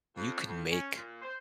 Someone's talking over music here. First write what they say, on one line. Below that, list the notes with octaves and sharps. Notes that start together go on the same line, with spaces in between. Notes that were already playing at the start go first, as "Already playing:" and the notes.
you could make
F2
F2
C#4
A#2
C5